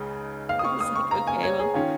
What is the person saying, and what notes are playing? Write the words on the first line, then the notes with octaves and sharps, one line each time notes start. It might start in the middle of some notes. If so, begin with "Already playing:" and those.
I was like, “Okay, well.”
Already playing: C#2 C#3 G#3 D#4
F5
D#6
C#6
D#6
C#6
A#5
G#5
C#5
G#4
D#3 C#4 F4